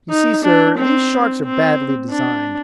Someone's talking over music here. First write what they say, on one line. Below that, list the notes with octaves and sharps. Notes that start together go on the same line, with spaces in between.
You see, sir, these sharks are badly designed.
D#4
D4
C4
C4
D4